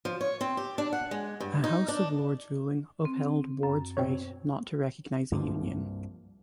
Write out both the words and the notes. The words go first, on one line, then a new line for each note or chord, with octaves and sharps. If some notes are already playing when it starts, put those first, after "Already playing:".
A House of Lords ruling upheld Ward's right not to recognise a union.
F3
C#5
C4
G4
D4
F#5
G#3
G2
D#4
D4
C4
F#2
B2 C4 C#5
C2 G2 F3 A#3